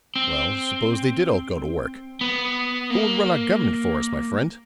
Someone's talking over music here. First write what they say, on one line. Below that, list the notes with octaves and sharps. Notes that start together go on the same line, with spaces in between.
"Well, suppose they did all go to work; who would run our government for us, my friend?"
C4
B3
A#3